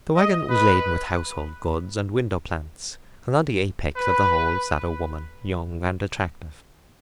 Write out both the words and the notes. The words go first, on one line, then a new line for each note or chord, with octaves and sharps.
The waggon was laden with household goods and window plants, and on the apex of the whole sat a woman, young and attractive.
D#5
B4
B4